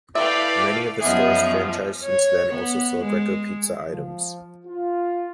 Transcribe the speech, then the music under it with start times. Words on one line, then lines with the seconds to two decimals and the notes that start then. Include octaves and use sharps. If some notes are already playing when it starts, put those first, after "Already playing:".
Many of the stores franchised since then also sell Greco Pizza items.
0.15 A3 E4 B4 D5 E5 F5 G5
1.01 F#2 F3 B3 G#4 D#5 E5
2.05 C#5
2.55 B3
3.04 G#3
3.87 F3
4.65 F4